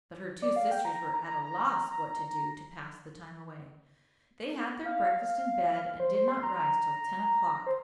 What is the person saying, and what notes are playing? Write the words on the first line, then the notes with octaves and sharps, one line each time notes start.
But her two sisters were at a loss what to do to pass the time away: they had their breakfast in bed, and did not rise till ten o'clock.
D5
F5
G5
A#5
A#5
A#5
F5
C5
C5
C6
A#5
A#5
C5